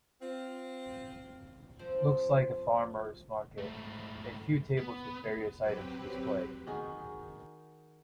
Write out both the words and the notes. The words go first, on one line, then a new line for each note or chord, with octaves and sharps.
Looks like a farmers market, a few tables with various items displayed.
C4 F4
F3 C4 C5
G#2 A3
B3
F#3 C4 G4 B4
D#3 D#4 F#4 G#4